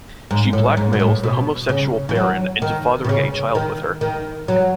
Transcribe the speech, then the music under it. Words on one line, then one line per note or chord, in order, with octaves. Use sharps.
She blackmails the homosexual Baron into fathering a child with her.
G#2
A2
G#2
B2
A2
B2
C#3
E3
F#3
D#3
B2
C#3
D#3
D#3
F#3